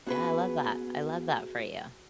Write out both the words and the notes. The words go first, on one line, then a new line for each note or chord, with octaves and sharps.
Yeah, I love that. I love that for you.
A#3 B3 C#4 F#4 G#4 B4